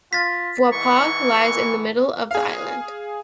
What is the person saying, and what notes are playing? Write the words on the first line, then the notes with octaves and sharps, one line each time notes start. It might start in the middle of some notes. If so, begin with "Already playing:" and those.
Vaipoa lies in the middle of the island.
F4 A6 B6
G#2 B2 E3 C#6
G#4 F5